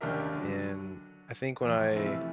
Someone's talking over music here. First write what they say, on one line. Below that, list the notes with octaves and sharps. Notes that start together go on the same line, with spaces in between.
And, I think when I
D#2 C#3 D4 G4 A#4 E5
D3 F#3
E2 F3
C3 E3 F3 A3